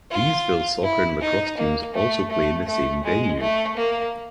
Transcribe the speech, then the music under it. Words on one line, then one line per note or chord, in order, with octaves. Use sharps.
Leesville soccer and lacrosse teams also play in the same venue.
F4
E4
D#4
A#3
A3
A3
A3
G#3
A3
A#3